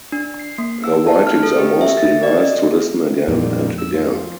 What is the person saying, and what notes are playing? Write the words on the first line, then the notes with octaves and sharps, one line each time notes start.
Her writings are mostly nice to listen again and again.
D4
C7
A#3
E6
A5
F6
A4
G4
E5
A6
D5
D#5
F2 A#2 D#3 G3 A#3
E6
F3